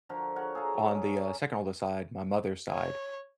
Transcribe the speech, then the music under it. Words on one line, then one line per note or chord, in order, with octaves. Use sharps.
on the, uh, second oldest side, my mother's side,
D3 F3 F#4 A#4
A#4 C#5 F#5
G#4 A4 F5 A#5
F#3
C#4
C#5